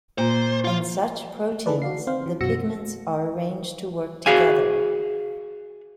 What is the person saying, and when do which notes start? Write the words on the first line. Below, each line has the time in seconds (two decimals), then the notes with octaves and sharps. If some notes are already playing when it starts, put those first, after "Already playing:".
In such proteins, the pigments are arranged to work together.
0.18 A#2 C5
0.65 F4 F5
1.52 A3
1.66 E3 D#4 G#4 A4 B4 D5
1.82 F#4 D5 F5 C7
2.07 C4 C5 F5
2.26 E3
2.41 F#2 B2 F#4 E6 A#6 C#7
4.26 F#4 G#4 F5 G#5